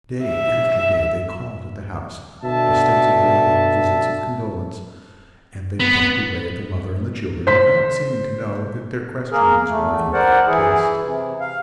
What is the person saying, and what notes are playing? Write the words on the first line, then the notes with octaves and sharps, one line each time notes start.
Day after day they called at the house, ostensibly upon visits of condolence, and they pumped away at the mother and the children without seeming to know that their questionings were in bad taste.
E5
B2 D3 E5 A5
B3
C5 B6
A#3 G#4 A#4
E2 A3
A#4 C5 D5 F#5
E3 E4 G#4
C3
F5